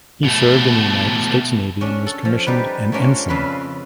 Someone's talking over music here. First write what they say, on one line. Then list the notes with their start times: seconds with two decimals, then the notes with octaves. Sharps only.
He served in the United States Navy and was commissioned an ensign.
0.24 B2 A3
1.81 C#4 D4
2.07 A4
2.25 F3
2.46 G3 D#4 G4 B4
2.92 A3 A#3 C#4 D4 F4
3.28 F2 C#3 B4 B5 C6